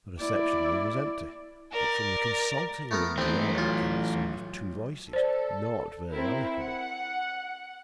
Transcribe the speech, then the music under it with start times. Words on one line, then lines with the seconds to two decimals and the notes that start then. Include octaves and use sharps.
The reception-room was empty, but from the consulting-room beyond came the sound of two voices, not very amicable.
0.20 E4 D5
1.73 A#4 D5
2.91 A3 B3 A#4
3.18 E3 A3 B3 C4
3.55 B1 F4
5.13 A4 C5 D5
6.10 C4 E4 A#4
6.59 F#5